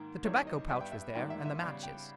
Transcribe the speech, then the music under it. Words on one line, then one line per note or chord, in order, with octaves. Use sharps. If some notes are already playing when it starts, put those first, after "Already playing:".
The tobacco-pouch was there, and the matches.
Already playing: G#2 D#3 A#3
E2 D#3 G3 C#5
D#5
G2 G3 B3 E5
G5
E5
G#2 D#3 G3 A#3 G5
E5
E5
C#3 G3 B3
G5